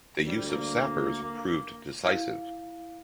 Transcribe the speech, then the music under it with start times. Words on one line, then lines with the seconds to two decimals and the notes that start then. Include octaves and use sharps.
The use of sappers proved decisive.
0.24 D2 G3
0.48 A#3
1.23 A#3
2.04 E4 F5